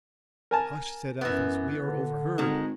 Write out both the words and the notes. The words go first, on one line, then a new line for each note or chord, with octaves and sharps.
"Hush!" said Athos, "we are overheard."
A#4 G#5 A5
F#2 E3 B3
D3
G#1 D#3 G#3